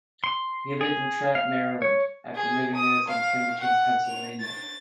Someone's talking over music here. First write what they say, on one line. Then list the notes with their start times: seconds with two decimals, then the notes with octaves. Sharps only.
He lived in Trappe, Maryland, after moving there from Kimberton, Pennsylvania.
0.24 C6
0.81 G#4
1.35 F5
1.82 C#5
2.35 G#4
2.75 D#6
3.08 F5
3.61 F#5
4.05 F7
4.40 A6